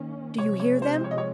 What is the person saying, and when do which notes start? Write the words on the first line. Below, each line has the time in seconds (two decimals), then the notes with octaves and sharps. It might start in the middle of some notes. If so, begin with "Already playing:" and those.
Do you hear them?
Already playing: D#3 A#3 C#4
0.37 C3 F3 G#3 C#5
0.60 C#5
0.82 C5
1.04 C#5
1.11 D#5
1.18 C#5